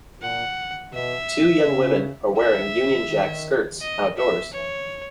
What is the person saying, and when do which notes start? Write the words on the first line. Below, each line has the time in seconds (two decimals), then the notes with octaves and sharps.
Two young women are wearing Union Jack skirts outdoors.
0.21 A#2 F#5
0.93 B2 E5
1.66 C#3
2.37 E5
3.09 D#3
3.81 D#5
4.17 E5
4.53 E3 C#5